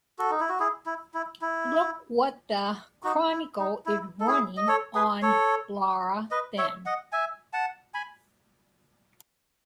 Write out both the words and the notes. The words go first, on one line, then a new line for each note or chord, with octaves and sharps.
Look what the Chronicle is running on Laura Ben.
F#4 A4
D#4
E4
F#4
E4 G#4
E4
E4
E4
D#4 F#4
E4
D#4
E4
A4
E4 G#4
D#5
A4 C#5
G#4 B4
A4 C#5
B4 D#5
C#5 E5
D#5 F#5
E5 G#5
F#5 A5
G#5 B5